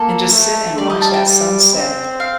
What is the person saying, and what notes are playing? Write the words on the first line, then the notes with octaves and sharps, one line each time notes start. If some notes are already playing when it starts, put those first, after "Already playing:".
and just sit and watch that sunset
Already playing: A#3 A4
A3
G3 D5
D#5
A5
G5
G3
C4
F5